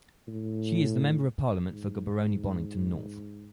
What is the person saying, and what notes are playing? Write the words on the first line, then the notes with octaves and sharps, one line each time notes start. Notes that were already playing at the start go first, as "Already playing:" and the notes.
She is the Member of Parliament for Gaborone Bonnington North.
A2
G#2
G#2